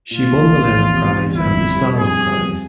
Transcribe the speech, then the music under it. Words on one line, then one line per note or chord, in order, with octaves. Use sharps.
She won the Lenin Prize and the Stalin Prize.
A#2 F4
A#1
A#1
E2
C3
E2
G1 E4
F2
G3
F2 G#4
G3
F2